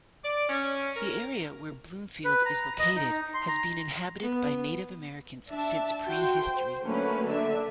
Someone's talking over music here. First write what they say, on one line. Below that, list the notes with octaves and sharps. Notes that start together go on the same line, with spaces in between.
The area where Bloomfield is located has been inhabited by Native Americans since prehistory.
D5
C#4
A#4
B4
A#5
D#5
D#4
C6
A#5
B3
D4 E5 A5
F#4 G5 C6
C5
D3 F#3 A3 A#3 C#4 B4
D3 D4 E5